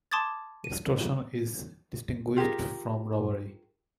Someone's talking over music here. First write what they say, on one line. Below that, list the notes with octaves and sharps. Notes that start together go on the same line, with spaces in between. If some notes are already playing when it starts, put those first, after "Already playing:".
Extortion is distinguished from robbery.
A5 C6 D6 D#6 G#6 A6
D#7
F4 G4 G#4 A#4